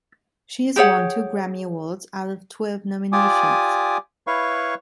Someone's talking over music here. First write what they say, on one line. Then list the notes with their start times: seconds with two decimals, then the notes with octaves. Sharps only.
She has won two Grammy Awards out of twelve nominations.
0.76 G4 G#4 C#5 F#5
3.12 F4 G4 D5 G#5 D6 D#6
4.27 E4 B4 C#5 F5 C#6